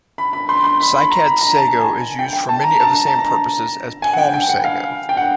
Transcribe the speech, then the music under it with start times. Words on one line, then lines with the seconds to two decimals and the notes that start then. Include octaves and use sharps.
Cycad sago is used for many of the same purposes as palm sago.
0.18 B5
0.33 B5
0.49 C6
0.64 C6
0.80 B5
0.95 B5
1.11 A#5
1.26 B5
1.41 A#5
1.57 A5
1.79 G#5
2.19 G5
2.33 G5
2.49 A5
2.64 A#5
2.80 A5
2.95 A#5
3.07 A5
3.19 A#5
4.02 G#5
4.13 F#5
4.18 G5
4.34 G5
4.49 F#5
4.64 F5
5.09 G5
5.17 F#5